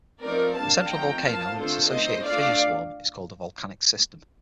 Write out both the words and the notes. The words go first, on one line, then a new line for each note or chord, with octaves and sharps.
A central volcano and its associated fissure swarm is called a volcanic system.
F3 A3 C4 D#4 A#4 D5
G3 A#3 D4 F5 A5
F3 A3 C4 D#4 G5 A#5
F3 A#3 F4 F5 A5
D3 A3 C4 F4 A4 C5
A3 C4 D#4 C5 D#5
A3 D4 F4 D5 F5